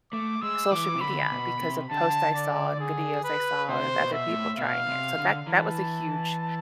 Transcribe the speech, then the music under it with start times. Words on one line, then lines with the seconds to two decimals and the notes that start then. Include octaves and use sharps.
social media, because of post I saw and videos I saw of other people trying it. So that that was a huge,
0.12 A3 D6
0.42 G#3 E6
0.72 E3 D6
0.96 C3
1.01 D3 B5
1.32 B2
1.62 C3
1.90 D3 A5
2.36 D5
2.80 G#4
3.24 B4
3.69 C3 C5
3.99 B2
4.13 E5
4.28 A2
4.58 B2 F5
4.88 C3
5.18 D3
5.47 E3 A5